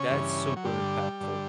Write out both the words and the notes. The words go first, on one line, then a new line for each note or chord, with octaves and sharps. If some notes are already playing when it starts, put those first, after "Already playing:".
that's super impactful.
Already playing: C#3 C#4
G2 E3
F#3
G2 D3 G3
G2 D3